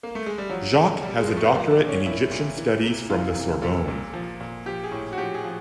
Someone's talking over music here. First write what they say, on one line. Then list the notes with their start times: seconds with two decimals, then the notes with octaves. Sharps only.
Jacq has a doctorate in Egyptian Studies from the Sorbonne.
0.03 A#3
0.15 A3
0.26 G#3
0.38 G3
0.49 F3 F#3
0.77 A#2
1.02 A#2 G3
1.19 G#3
1.28 F3
1.37 A3
1.46 B3
1.54 F3 A#3
1.71 D4
1.80 A#2
1.89 C#4
2.06 F3 E4
2.31 A#2
2.58 E3
2.83 C3
3.10 E3 F4
3.35 C3
3.62 A#2 A4
3.88 A#2
4.13 F3
4.40 A#2
4.66 F3 G4
4.83 G#4
4.92 A2
5.13 F#4
5.18 F3 G4
5.34 G#4
5.44 F3